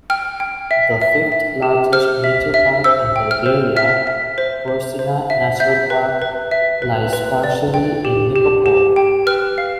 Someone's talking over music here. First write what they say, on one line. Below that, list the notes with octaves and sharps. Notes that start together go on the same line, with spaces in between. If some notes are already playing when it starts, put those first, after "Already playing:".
The fifth-largest nature park in Bulgaria, Persina Natural Park, lies partially in Nikopol.
G5 F6
G5
E5
E5
E5
G4
C5 F6
E5
E5
C5 E6
G5
F6
C5
E5 F6
E5
C5
C5
C5
E5
E5 G6
B4
B4
E5
B4
B4
D5
G5
G4
G4
G4
G5
B4 F6
F5